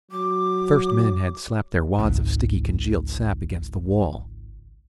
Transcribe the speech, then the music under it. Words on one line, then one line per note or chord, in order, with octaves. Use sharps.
The first men had slapped their wads of sticky congealed sap against the wall.
F#3 D6
G#1 C#2